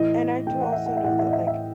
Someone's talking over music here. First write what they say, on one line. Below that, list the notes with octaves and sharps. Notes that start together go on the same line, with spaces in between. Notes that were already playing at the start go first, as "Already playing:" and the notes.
And I do also know that, like,
Already playing: A2 E3 D#5
A2 E3 G5
F#5
E5
F#5
E5
A2 E3 F#5
E5
D#5
E5
E5